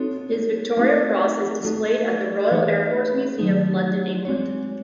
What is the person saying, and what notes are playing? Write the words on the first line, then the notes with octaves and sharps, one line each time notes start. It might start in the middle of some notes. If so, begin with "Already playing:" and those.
His Victoria Cross is displayed at the Royal Air Force Museum London, England.
Already playing: C4 D#4 F#4 A4 C#5
A3 C4 D#4 F#4
A3 D#4 F#4 A4
E3 A3 D#4 G#4 C#5
D#3 F#3 A3 D#4
G#3 C4 F#4 C#5